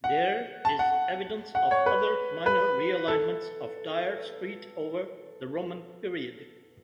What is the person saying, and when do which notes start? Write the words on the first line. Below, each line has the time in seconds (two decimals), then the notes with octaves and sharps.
There is evidence of other minor realignments of Dere Street over the Roman period.
0.04 F#5
0.65 A5
0.79 F#5
1.55 F#5
1.71 C#5
1.86 B4
2.46 B4
3.08 A4